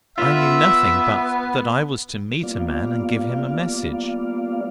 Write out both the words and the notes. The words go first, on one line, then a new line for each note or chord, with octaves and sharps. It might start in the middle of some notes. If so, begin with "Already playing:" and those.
"I knew nothing but that I was to meet a man and give him a message."
B3 F4 E5
G3 A#3 B3 F4 D5 F5